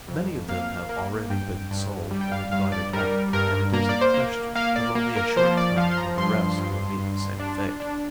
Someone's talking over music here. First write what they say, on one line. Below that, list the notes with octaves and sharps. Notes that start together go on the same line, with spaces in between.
Many of them have already been sold or divided up, and it is a question Of only a short time when the rest will meet the same fate.
F2
A#3 F5
A#3
G2 G5
G2
G3
G5
F5
G2 F5
D5
G3 A#4
G2 A#4
A#3 A#4
D5
C5
A#3
A#3 F5
D5
A#3
A#4
F3 C5
D5
F3 F5
C6
A#5
G2 C6
G2
G2
D4
D4